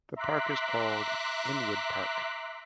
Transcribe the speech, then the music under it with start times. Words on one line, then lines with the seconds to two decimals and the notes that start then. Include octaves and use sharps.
The park is called Inwood Park.
0.16 E5 A#5 C6 D6 F#6 B6